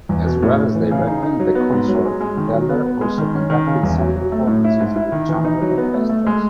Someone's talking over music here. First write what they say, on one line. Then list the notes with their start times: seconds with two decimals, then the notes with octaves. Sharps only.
As well as directing the Consort, Deller also conducted some performances with chamber orchestras.
0.09 E2
0.26 B2
0.42 A2
0.59 A2
0.75 E3
0.91 C#3
1.07 D#4
1.23 D#4
1.40 F#3
1.55 B3
1.72 G#2
1.88 F#3
2.05 G#3
2.20 G#3
2.37 D#3
2.53 F#3
2.69 B3
2.86 B3
3.01 G#3
3.18 D#3
3.34 C#4
3.50 D#3
3.67 C#3
3.83 E2
3.99 F#3
4.16 F#3
4.32 A3
4.47 A2
4.64 E4
4.80 G#2
4.96 E4
5.12 D#3
5.29 E3
5.44 D#4
5.61 F#3
5.78 B3
5.94 A3
6.09 A3
6.26 G#3